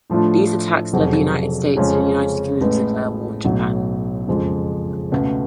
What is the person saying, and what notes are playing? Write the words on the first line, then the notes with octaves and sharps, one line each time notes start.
These attacks led the United States and United Kingdom to declare war on Japan.
A2 F3 A3 D4 F4
F1 F2 C#3 F#3
F2 C#3 G#3 C#4 F4
A1 A2 G#3 B3
B1 A2 F#3
F#1 F2 F3 G#3
C#2 B2 A3